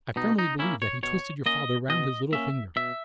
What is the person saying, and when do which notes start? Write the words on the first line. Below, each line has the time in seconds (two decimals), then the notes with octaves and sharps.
I firmly believe that he twisted your father round his little finger.
0.16 B2 D#4
0.38 D#4
0.59 A#3 C#4 E4
0.82 C#5
1.03 B2 C#5
1.46 A#3 C#4 D#5
1.89 B2 D#5
2.32 A#3 C#4 E5
2.76 B2 E5